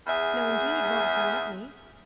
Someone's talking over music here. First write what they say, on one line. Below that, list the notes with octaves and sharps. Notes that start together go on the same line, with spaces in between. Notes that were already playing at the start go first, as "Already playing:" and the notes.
"No, indeed--not if you want me."
E2 G#4 E5